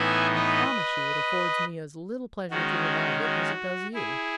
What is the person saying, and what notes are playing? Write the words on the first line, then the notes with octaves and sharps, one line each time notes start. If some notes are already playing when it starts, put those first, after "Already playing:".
I promise you it affords me as little pleasure to revive it as it does you.
Already playing: A2 E3 B3 D#4 E5 G#5
B4 D#5
D#3 G#3 C#4 F#4
F#4
E4 G#4